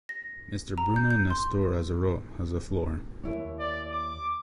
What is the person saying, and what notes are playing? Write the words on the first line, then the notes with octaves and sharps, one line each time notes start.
Mr Bruno Nestor Azerot has the floor.
A#6
A#5
G6
G6
C6
D#2 E4 C#5
D5
D6